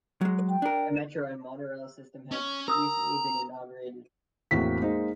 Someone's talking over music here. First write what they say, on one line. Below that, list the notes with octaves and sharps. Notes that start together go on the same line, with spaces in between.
A metro and a monorail system have recently been inaugurated.
F#3 G#3
G5
D4 A#4
C#4
A#4 A#5 D#6 E6
E2 A2 A#3 C4 F#4 B6
G#3 A#3 D#4 C5